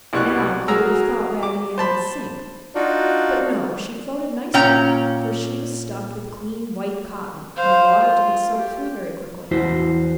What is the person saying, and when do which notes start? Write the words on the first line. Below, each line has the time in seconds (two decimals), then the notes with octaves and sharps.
Now, you would have thought Raggedy Ann would sink, but no, she floated nicely, for she was stuffed with clean white cotton and the water didn't soak through very quickly.
0.13 C2 B2 G3 C#6 F#6
0.68 F#3 G#4 A#4 A#5 E6
1.43 D6
1.78 C5 A5 B5
2.75 D4 D#4 F4 F#4 D5
4.54 A#2 C#4 G5 A#5
7.56 C5 F5
8.01 F4
8.56 G4
9.51 E2 E4 F#4 C5